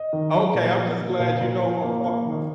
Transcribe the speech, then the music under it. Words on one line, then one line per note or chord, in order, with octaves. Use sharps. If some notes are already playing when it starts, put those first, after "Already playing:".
Okay, I'm just glad you know who I'm talking 'bout.
Already playing: D#5
D#3
F#3
A#2
F3
A#3
A#2 F5
A#2
F3
A#3
A#3
D#3